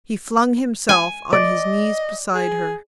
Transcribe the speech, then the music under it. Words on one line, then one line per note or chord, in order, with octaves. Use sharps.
He flung himself on his knees beside her.
G#5
D5 D#5
G#4